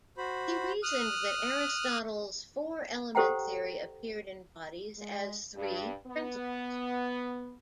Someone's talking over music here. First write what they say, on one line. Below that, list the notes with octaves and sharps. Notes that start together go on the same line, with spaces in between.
He reasoned that Aristotle's four element theory appeared in bodies as three principles.
F#4 C5 B5
D#6 F6 F#6
G4 A4 C5 F#5 G5 A#5
G#3
G2
B3